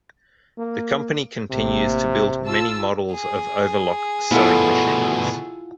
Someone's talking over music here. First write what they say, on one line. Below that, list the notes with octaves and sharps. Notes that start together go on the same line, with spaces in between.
The company continues to build many models of overlock sewing machines.
A#3
A1 C3 A#3
F4 A5 E6
G#4
D2 B2 B3 E4 F4 A4 F#5